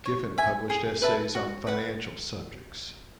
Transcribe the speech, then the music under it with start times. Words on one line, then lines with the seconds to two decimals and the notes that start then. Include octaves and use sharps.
Giffen published essays on financial subjects.
0.06 C#5
0.38 E5 G#5
0.70 G#4
1.02 B4 E5 A5
1.35 F#4
1.67 B4 F#5